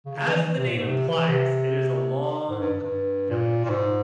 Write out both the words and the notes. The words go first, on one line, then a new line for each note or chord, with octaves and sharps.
As the name implies it is a long village.
C#3
C#3
E3
E3
C3
A#2
G#2
C3
E3
C3
G#2
G2
G2
A#2
A#2
G#2